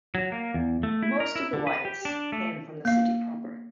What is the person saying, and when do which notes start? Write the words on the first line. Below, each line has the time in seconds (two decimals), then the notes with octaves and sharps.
Most of the Whites came from the city proper.
0.15 F#3
0.32 A#3
0.54 E2
0.83 A3
1.03 E4
1.20 A#4
1.36 E4
1.53 D3
1.67 B4
1.85 G4
2.05 D4
2.32 A3
2.85 A#3 F5